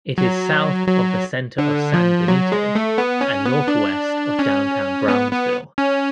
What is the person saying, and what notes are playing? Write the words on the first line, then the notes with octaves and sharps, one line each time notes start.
It is south of the center of San Benito and northwest of downtown Brownsville.
F#3
F#3
D3
F3
F#3
G#3
A3
B3
C#4
B3
D4
C#4
B3
B3
C#4